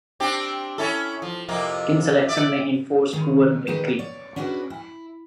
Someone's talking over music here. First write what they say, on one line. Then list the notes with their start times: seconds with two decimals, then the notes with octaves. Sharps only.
Kin selection may enforce poor mimicry.
0.20 C4 D4 G4
0.78 C#4 E4 A4
1.22 F3
1.49 F2 C3 A#3
2.29 D5 E5
3.13 D#3 C#4 G#4
3.67 D#3 D#4 G4 G#4 B4
3.99 C#5 D5
4.36 C#4 D4 E4 F#4 G#4 B4
4.70 E4